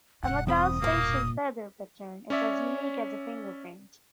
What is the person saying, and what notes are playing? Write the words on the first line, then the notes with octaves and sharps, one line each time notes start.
A macaw's facial feather pattern is as unique as a fingerprint.
E1 G2 F#5
E2 C4 B5 D#6
C#2 A#2 A#3
C#4 C#5 D5 E5